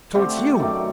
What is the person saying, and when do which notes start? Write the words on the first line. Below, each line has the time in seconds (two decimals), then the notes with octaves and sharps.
"So it's you!"
0.14 D3 A3 C4 G4
0.37 F#4
0.59 F#2 D#3 F#3 A3 D5